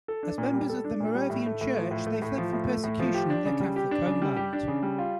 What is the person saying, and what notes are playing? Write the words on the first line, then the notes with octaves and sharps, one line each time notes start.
As members of the Moravian Church, they fled from persecution in their Catholic homeland.
A4
D4
A#2
G3
A4
D4
A#2
G3
A2
A3
A2
F3
A2
A3
A2
F3
A2
A3
A2
F3
G4
D4
C#3
G3
G4
D4
C#3
G3
G4
D4
C#3
G3
F4